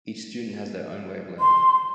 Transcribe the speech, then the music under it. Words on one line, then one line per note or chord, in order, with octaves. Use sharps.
Each student has their own way of learning.
C6